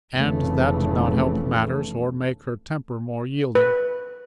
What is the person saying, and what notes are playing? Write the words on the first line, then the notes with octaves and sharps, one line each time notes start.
And that did not help matters or make her temper more yielding.
F1 C#3 E3 A3
B4